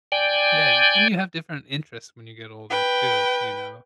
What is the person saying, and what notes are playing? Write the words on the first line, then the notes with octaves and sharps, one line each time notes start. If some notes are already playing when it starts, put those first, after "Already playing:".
yeah, and you have different interests when you get older too, you know?
D5 G5 G#5
B4 G5